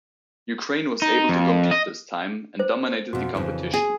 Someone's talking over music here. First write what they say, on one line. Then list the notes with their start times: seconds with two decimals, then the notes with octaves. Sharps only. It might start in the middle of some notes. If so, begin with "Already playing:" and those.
Ukraine was able to compete this time, and dominated the competition.
1.02 D#4
1.29 F2
1.71 D#5
2.59 C5
3.13 F2 B2 F#4
3.35 F2 C#3 E3
3.74 G#4